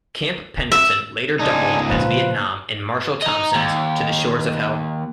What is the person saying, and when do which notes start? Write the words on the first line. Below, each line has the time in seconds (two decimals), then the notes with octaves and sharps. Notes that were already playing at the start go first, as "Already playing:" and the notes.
Camp Pendleton later doubled as Vietnam in Marshall Thompson's "To the Shores of Hell".
0.72 E5
1.39 C#2 G#3 D4 D#4 G#5
1.89 A#2 C#3 F3 B4
3.22 D#5 A#5
3.54 D#2